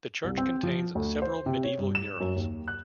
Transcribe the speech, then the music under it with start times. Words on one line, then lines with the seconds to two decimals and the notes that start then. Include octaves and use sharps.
The church contains several medieval murals.
0.24 C2
0.38 C4
0.63 F3
0.95 D2
1.22 C5
1.46 C3
1.64 C#5
1.78 G2
1.95 E7
2.20 F#2
2.36 D#2
2.68 F#6